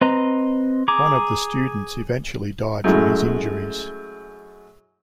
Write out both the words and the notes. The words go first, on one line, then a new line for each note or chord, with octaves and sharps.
One of the students eventually died from his injuries.
C4 B4 D#5 A#5
G#4 A#5 D6
F#2 G#3 A3 E4